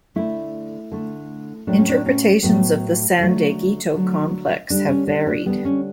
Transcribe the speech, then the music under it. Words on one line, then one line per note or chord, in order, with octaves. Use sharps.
Interpretations of the San Dieguito Complex have varied.
D3 A3 E4
D3 A3
A2 F#3 A3 D4
C#4
D4
C#4
A2 F#3 A3 B3
D3 F#3 A3
D3 F#3 A3
D3 G3 D4
C#4
D4
D4
D3 G3 B3
C#4